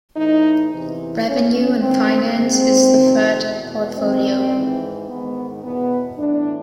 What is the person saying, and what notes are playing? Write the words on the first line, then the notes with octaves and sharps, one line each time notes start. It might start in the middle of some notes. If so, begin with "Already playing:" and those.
Revenue and Finance is the third portfolio.
A2 E3 D#4
E2 C3 E3
A2 E3 C#4
G2 D#3 C4
G#2 D#3 C4
F2 C3 D#3
E2 B2
F#2 D#3 C4
G#2 E3
G#2 D#3 B3
E2 B2 B3
A2 E3 D4